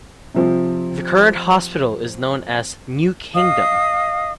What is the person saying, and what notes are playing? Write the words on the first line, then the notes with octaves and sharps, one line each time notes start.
The current hospital is known as the "New Kingdom".
C3 F3 C4
D#5 F5 D#6